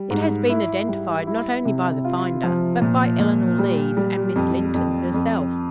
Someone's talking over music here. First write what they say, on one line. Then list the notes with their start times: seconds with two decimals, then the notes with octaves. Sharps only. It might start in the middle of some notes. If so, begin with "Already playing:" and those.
It has been identified not only by the finder, but by Eleanor Lees and Miss Linton herself.
Already playing: G3
0.10 G#2
0.49 E4
0.88 G3
1.27 E4
1.65 C3
2.04 F4
2.43 F3
2.82 A#2
3.20 A#2
3.59 G3
3.97 G3
4.36 F2
4.74 F2
5.14 F2